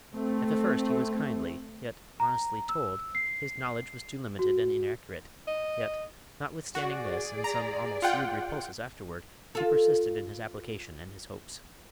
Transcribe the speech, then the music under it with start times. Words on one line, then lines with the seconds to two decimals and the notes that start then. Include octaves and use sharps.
At the first, he was kindly, yet honestly told, his knowledge was too limited and inaccurate; yet, notwithstanding this, and some almost rude repulses afterward, he persisted in his application and his hopes.
0.15 A3 C4
2.20 A#5
2.69 E6
3.15 C7
4.39 F#4
5.48 D#5
6.75 F#4 G#4 D5
7.44 A#5
8.02 F4 F#5 G5
9.55 F4 A4